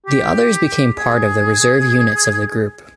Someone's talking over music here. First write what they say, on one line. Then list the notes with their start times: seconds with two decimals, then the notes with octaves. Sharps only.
The others became part of the reserve units of the group.
0.07 G4
0.99 G#4